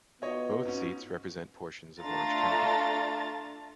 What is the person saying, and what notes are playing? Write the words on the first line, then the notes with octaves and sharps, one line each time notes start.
Both seats represent portions of Orange County.
B3 D#4 F4 F#4 C#5 D#5
G#2 C#4
A3 D4 F4 A#5 A6